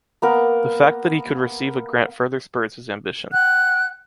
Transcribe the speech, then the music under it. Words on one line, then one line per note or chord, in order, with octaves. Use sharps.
The fact that he could receive a grant further spurs his ambition.
A#3 B3 A#4
F#5 G5 F#6